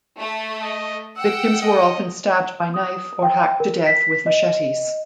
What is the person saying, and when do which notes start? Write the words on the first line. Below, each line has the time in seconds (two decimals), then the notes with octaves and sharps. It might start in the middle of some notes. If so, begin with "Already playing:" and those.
Victims were often stabbed by knife or hacked to death with machetes.
0.19 A3
0.63 D#5
1.18 F#5 G5 E6
1.62 D#5
2.74 D#6
3.23 G5
3.60 A#4
3.86 B6
4.26 D#5